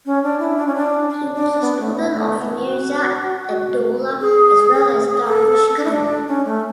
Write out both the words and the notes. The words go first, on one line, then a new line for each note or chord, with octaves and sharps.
He was a student of Mirza Abdollah as well as Darvish Khan.
C#4
D4
E4
D4
C#4
D4
D4
D4
B3
A3
B3
A3
B3
F#4
G#4
G#4
A4
D4
E4
D4
C#4
A3